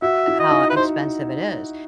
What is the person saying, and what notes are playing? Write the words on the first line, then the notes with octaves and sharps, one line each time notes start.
how expensive it is.
F#4 E5
E4
D#5
D#4
B4
D#4 C5